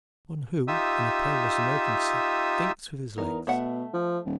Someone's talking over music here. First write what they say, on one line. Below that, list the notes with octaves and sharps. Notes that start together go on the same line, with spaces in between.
One who in a perilous emergency thinks with his legs.
D#4 F4 G4 E5 D#6 E6
E2 D#4 A#4
B2 A3 E5 F#5
F3
D#1